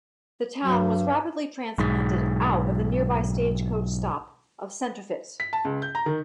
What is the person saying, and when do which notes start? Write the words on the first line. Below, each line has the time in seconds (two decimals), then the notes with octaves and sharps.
The town was rapidly transplanted out of the nearby stagecoach stop of Senterfitt.
0.64 G2 F#3
1.78 B1 G#2
5.40 B6
5.53 A5
5.65 C#2
5.82 G6
5.95 A#5
6.06 D#3